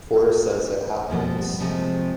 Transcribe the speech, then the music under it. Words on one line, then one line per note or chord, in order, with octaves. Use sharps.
Forrest says "it happens".
B2 F3 A#3 C4
G3
C3 F3 G#3 A3